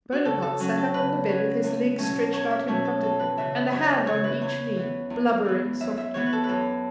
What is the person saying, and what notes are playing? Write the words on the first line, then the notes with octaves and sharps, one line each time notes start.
Bonaparte sat up on the bed with his legs stretched out in front of him, and a hand on each knee, blubbering softly.
F#4
C#3 A4
A4
F#3 C#4
A4
C#3 B4
F#3 C#4
E2
B2 F#3 A3 C#4
E2 C#5
E5
B2 F#3 A3 C#4 C#5
A4
F#2 A4
B4
C#3 E3 E5
E5
F#2 C#5
E5
C#3 E3 C#5
B4
E2 C#5
E3 B3
E2
E3 B3
F#2 E5
E5
E3 B3 C#5
B4
A4
B4
F#2 A4